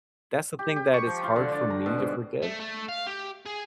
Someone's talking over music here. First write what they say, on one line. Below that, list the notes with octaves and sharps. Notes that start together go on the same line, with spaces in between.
that's the thing that is hard for me to forgive
G4
G4
C#6
F3
F4
D3
D5
A#5
B2
G#2
A3
A3
F5
G4
G#4